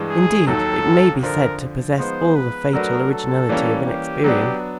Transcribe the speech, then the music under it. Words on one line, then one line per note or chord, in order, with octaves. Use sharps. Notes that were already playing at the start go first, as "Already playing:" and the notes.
Indeed, it may be said to possess all the fatal originality of inexperience.
Already playing: G2 E3 G#3
G#4
D#2 D#3 F#3 A4
F2 D3 F3 A#4
F3 G#3 B3 D#4 C5
B4
F#3 A3 D4 F#4 A#4 B4
A4
E3 G3 A#3 C#4
G4
F#3 B3 D4 G4